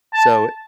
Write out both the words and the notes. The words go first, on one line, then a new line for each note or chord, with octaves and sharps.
So i
A5